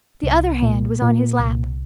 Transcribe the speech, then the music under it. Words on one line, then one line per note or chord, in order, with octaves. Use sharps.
The other hand was on his lap.
C2
A#2
A#2
C2